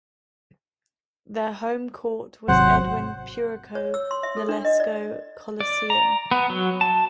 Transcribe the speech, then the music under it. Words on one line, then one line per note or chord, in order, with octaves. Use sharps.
Their home court was the Edwin "Puruco" Nolasco Coliseum.
G#1 C3 F#3 C5 F#5
C#5
E6
C6
E5
A4
D4
D#5
D5
D5
A#5
B3
F#3
A5